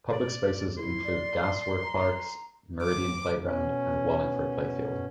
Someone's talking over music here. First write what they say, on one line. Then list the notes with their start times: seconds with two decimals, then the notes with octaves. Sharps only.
Public spaces include Gas Works Park, Meridian Playground, and Wallingford playfield.
0.12 D5
0.78 E4 C6
1.04 D5
1.83 A#5
2.82 D6
3.41 B2 C#4